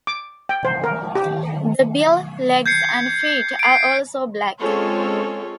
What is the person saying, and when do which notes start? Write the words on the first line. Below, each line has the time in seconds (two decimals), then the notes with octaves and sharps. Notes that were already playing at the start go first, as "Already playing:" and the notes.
The bill, legs and feet are also black.
0.07 D6
0.49 G5
0.65 C5
0.84 A#4
1.15 G4
2.66 G6 G#6 C7 C#7
3.59 C7 D7
4.59 G#3 C4 C#4 F4 A4 C#5